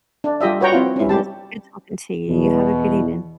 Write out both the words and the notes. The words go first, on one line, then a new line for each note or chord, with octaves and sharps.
and it's good talking to you. You have a good evening.
D4
G3 F4 G4 D#5 E5
F#4 B4 C#5 G5 A#5
C4 E4 F4
C#4 E4
G3 G4 A5
E2 B2